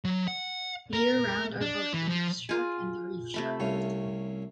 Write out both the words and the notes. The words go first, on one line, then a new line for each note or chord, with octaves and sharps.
Year-round are both the nurse shark and reef shark.
F#3
F#5
A#4
D4
E3
F3
F4 G#4
C3 A3 B5
C2 C#4 F5